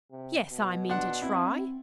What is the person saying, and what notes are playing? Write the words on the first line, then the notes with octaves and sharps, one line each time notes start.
"Yes; I mean to try."
C3
B2
D4 F#5 C6
C4 E4